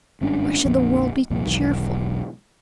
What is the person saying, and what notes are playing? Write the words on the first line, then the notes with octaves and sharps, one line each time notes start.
Why should the world be cheerful?
G#1 G2 C#4 D4
A#1 F2 A#2 D3
C2 F2 A#2
E1 B1 D#3